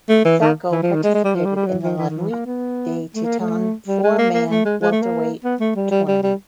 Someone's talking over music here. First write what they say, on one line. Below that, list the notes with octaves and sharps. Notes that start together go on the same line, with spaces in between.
Sacko participated in the La Nuit des Titans four man welterweight tournament.
A3
E3
D#3
E3
F3
D#3
G#3
G#3
G3
F3
G3
G3
F#3
F3
E3
D#3
E3
A#3
B3
A3
A#3
A3
G3
G#3
A#3
A#3
A3
G#3
G#3
A3
A#3
B3
A3
G3
G3
G3
G3